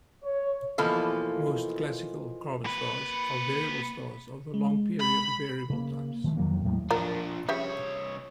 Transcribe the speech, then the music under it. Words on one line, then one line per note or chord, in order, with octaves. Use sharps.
Most classical carbon stars are variable stars of the long period variable types.
C#5
B2 E3 F3 A#3 A4
A#3 B4
G#3
B5
C#3 A#3
D#3 F3 A3
F2 D#3 F#3 A#3
E2 A2 F#3 G#3
F3 D4 F4 A#4
C2 C#3 G4 C#5 E5